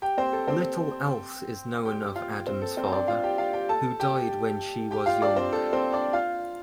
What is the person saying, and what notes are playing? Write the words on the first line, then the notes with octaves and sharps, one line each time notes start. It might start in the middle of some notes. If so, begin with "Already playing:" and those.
Little else is known of Adams's father, who died when she was young.
G4 G5
C4 C5
A4
C4 C5
G4 G5
F4 F5
C4 C5
A4
C4 C5
D4 D5
F4 F5
G4 G5
F4 F5
G4 G5
A4 A5
G4 G5
G4 G5
F4 F5
D4 D5
C4 C5
A4
C4 C5
D4 D5
F4 F5